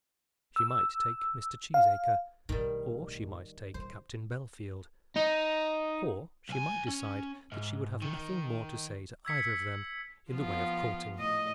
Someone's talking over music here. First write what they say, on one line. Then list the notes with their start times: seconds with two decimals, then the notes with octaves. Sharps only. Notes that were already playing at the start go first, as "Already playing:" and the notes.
She might take Mr. Cheesacre, or she might take Captain Bellfield--or she might decide that she would have nothing more to say to either of them in the way of courting.
0.56 E6
1.74 F5
2.49 B1 A2 D#3 G3
3.74 D#1 C5
5.16 D#4
6.49 B1 G#5
6.88 C#4
7.52 G#2
8.02 D#3
9.25 E6 G#6 B6 C#7
9.43 E6
10.31 F3 B3 F4
11.15 A2 D#5